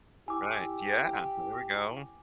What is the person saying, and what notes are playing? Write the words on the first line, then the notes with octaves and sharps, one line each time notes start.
Right. Yeah. There we go.
E4 G4 G#5 D6